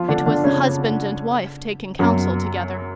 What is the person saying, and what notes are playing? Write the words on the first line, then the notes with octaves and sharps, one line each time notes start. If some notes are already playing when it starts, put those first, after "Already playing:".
It was the husband and wife taking counsel together.
Already playing: F3 F4
D3 D4
D3 D4
C#3 C#4
F#2 F#3